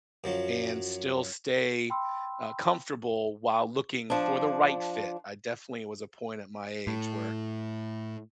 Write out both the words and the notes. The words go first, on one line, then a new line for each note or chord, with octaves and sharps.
and still stay, uh, comfortable while looking for the right fit. I definitely was a point at my age where
F#2 F3 F#3
G5 B5 C6 E6
F3 D4
A2